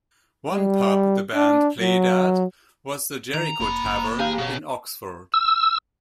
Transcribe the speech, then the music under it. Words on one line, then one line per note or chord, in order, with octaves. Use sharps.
One pub the band played at was the Jericho Tavern in Oxford.
G3
D4
F#3
D#3 A#5
F1 A#3 B5
F#1
G4 G#4 F5 A#5
B2 G#4 C#5
E6